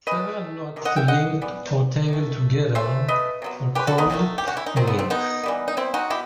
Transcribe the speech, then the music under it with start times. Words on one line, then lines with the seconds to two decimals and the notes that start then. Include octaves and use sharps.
Several knots, linked or tangled together, are called links.
0.07 E3 A3 B4 D#5
0.76 C3 D#3
0.85 D#5 F#5
0.96 E5 G5
1.08 D#5 F#5
1.42 E3 G3 B3
2.08 D#3 A3
2.75 E3 A3 C5 E5
3.08 B4 D#5
3.42 C3 F#3 B3
3.75 G4 B4
3.87 F#4 A4
3.98 B3 D#4
4.10 C3 D#3 F#3 A3
4.38 G4
4.48 F#4
4.57 E4
4.66 D#4
4.76 D#3 F#3 A3 C4
4.87 B3
4.99 C4
5.10 B3 D#4
5.43 E3 G3 B3
5.68 D#4
5.77 C4 E4
5.94 D#4 F#4
6.10 B2 E4 G4